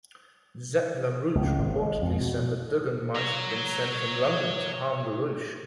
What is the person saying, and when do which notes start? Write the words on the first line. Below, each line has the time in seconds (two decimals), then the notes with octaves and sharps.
Zepp-LaRouche reportedly said that Duggan might have been sent from London to harm LaRouche.
1.35 C#2
1.59 G#1
1.82 G#3
2.02 F2
2.21 B2
3.15 C#5 A#5